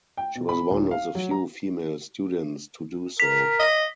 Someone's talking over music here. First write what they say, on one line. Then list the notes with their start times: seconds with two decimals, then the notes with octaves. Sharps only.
She was one of the few female students to do so.
0.17 G5
0.35 B2
0.49 B5
0.71 D#1
0.91 F5
1.15 F#3
1.31 A#5
3.20 A#4 B6
3.60 D#5